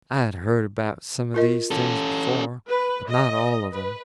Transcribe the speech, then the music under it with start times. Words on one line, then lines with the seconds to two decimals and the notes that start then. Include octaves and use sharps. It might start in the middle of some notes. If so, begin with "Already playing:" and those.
I had heard about some of these things before, but not all of them.
1.34 F4 A#4 D#5
1.71 C#4 A4
2.70 B4
3.10 D#5
3.73 B4